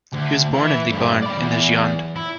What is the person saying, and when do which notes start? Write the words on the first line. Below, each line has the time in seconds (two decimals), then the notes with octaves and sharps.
He was born in Libourne in the Gironde.
0.13 D2
0.54 E3 E4
0.90 G2 A3
1.22 D5 B5
1.38 E2
2.16 E4